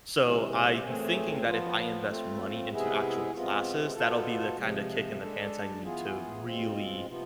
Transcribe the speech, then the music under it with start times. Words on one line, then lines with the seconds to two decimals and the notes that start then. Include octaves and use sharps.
So, I'm thinking that if I invest money into actual classes, that'll be the kinda kick in the pants I need to really,
0.19 C3 E3 G#3
0.82 A2 E3 A3 C4 G#4
1.44 F3 B3 F4
2.06 A3 C4 F4
2.70 C3 G#3 B3 E4 G#4
3.32 C3 G#3 B3 F4
3.95 B2 B3 F4 A4
4.56 C3 F3 G#3
5.19 G#3 D4 A4
5.81 E3 B3 F4 G#4
6.44 B2 G#3 C4 F4
7.06 C3 F3 B3 F4